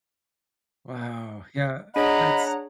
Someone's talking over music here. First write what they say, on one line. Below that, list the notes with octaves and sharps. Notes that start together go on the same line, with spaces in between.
Wow, yeah, that's
D4 G#4 C#5 D#5 F#5 A#5 B5